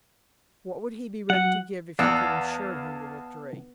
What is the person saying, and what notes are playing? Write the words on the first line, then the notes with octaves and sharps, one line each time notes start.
What would he be ready to give if he could insure him the victory?
F#3 F#5
E2 B3 D5 F5 F#5 A5 E6